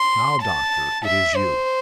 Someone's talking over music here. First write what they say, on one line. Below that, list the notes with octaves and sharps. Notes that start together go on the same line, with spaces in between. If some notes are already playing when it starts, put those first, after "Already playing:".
"Now, doctor, it is you."
Already playing: C6
A5
E5
C5